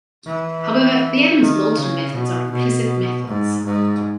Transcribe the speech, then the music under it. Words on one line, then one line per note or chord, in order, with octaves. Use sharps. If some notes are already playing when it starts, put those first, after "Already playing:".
However, the Adams-Moulton methods are implicit methods.
E3
D#3
C#3
B2
B2
G#2
G#2